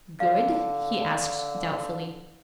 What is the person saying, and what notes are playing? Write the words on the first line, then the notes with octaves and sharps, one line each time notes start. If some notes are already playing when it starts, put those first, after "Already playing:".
'Good?' he asked doubtfully.
D3 F5